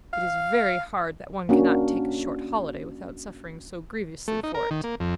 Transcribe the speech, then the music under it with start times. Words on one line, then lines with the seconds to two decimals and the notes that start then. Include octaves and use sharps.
It is very hard that one cannot take a short holiday without suffering so grievously for it.
0.13 F5
1.49 A#3 C#4 D4 F#4
4.28 A3
4.43 D#4
4.55 A#4
4.71 D#3
4.84 A#3
5.00 F2